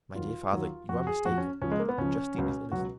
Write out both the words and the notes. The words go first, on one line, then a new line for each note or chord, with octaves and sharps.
"My dear father, you are mistaken; Justine is innocent."
D#2 D#3 F#3 F4
D#2 D#3 F#3
F2 F3 F#4
G#4
F2 F3 F#4
C#4
C#2 C#3 F3 C#4
G#3
A#3
B3
C#2 C#3 F3 C#4
C#2 B2 F#3
C#2 B2 F#3 F#4